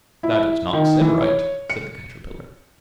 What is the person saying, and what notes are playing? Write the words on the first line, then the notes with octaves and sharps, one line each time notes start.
'That is not said right,' said the Caterpillar.
E4
D#3
E3
C#5
C#7